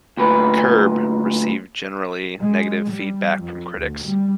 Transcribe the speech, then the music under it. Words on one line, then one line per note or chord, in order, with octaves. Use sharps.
"Curb" received generally negative feedback from critics.
D2 A#2 B4
G#3
G3
F2
D2
G3